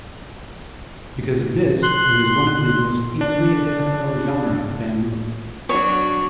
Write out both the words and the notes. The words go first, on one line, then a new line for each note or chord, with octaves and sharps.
Because of this it is one of the most easily identifiable genera of bamboo.
C6 F#6
D4
F#3 D4 F#4 C#5